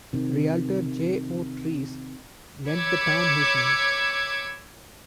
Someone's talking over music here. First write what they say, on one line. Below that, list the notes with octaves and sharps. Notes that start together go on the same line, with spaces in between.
Realtor J. O. Treece lent the town his name.
C3 D#3
C#5 B5 D6 E6 G#6 C#7